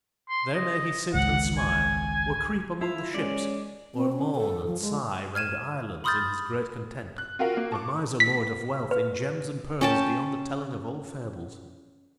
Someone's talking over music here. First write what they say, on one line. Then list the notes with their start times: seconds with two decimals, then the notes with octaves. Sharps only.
There may he sit and smile, or creep among the ships, or moan and sigh round islands in his great content--the miser lord of wealth in gems and pearls beyond the telling of all fables.
0.29 C6
0.54 D#5
1.14 G#1 C#2 F#5
1.58 G#5
2.81 E4 F4
3.14 G#3 C#4 D5
3.95 C4
4.13 C#4
4.35 A4
4.67 F3
4.81 G#3
5.35 F6 G#6 D#7 E7
6.04 B5 C6 D#6 F6 G6 A6
7.18 F#6
7.39 F4 F#4 A#4 F5
7.57 A#3
7.72 A5 C#6 D6
8.20 B6
8.91 B4
9.81 C#4 G5 A5